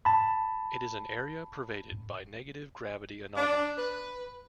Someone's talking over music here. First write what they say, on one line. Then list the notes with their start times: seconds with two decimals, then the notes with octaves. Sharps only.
It is an area pervaded by negative gravity anomalies.
0.05 A5 B5
3.36 D4
3.77 B4